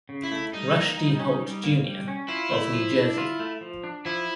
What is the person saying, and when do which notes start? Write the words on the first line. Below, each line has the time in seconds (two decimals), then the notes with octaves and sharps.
Rush D. Holt, Junior of New Jersey.
0.09 C#3
0.23 E4
0.32 A3
0.53 G3 D#4
0.75 A#3
0.97 G3
1.20 C#4
1.42 G3
1.64 A#3
1.85 G3
2.08 C#4
2.29 E4 F4
2.51 A3
2.73 F3
2.95 D4
3.18 F4
3.39 A3
3.61 F3
3.84 D4
4.05 F3 E4